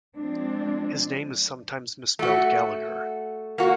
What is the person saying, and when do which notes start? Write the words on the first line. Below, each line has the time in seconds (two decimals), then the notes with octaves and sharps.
His name is sometimes misspelled "Gallagher".
0.16 F3 G#3 C4 D4
2.19 A3 F#4
3.58 A#3 F#4